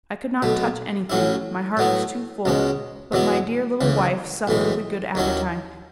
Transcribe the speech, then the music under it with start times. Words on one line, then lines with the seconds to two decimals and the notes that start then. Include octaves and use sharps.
I could not touch anything, my heart was too full, but my dear little wife supped with a good appetite.
0.42 B1 B2 A3
1.10 A1 A2 F#3 C#4 E4
1.77 A2 F#3 B3 E4
2.45 C#2 B2 G#3 C#4
3.12 E2 B2 F#3 B3 E4
3.81 C#2 C#3 E3
4.47 B1 A2 E3 G#3
5.15 D#2 D#3 F#3 C#4 E4